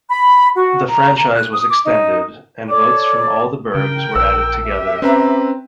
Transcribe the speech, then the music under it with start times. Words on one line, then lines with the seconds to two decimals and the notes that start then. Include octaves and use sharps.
The franchise was extended, and votes from all the burghs were added together.
0.09 B5
0.57 F#4
0.88 A#5
1.35 F#6
1.53 D#6
1.69 D6
1.85 D#4
2.68 A4 C#5 D5 D6
3.75 C#3 A#4 G5
4.16 A#1 E6
4.66 G4 E5
5.02 C4 C#4 B4 A#5